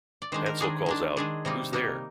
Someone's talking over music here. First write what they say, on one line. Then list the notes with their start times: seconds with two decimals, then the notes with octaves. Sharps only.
Hansel calls out, Who's there?
0.22 D5
0.32 D#3 G#3 D4 C5
0.46 A#4
0.60 D#3 G#3 D4 G#4
0.86 D#3 G#3 D4
1.17 D#3 G#3 D4 G#4
1.45 C3 G3 A#3 D#4
1.73 C3 G3 A#3 D#4 A#4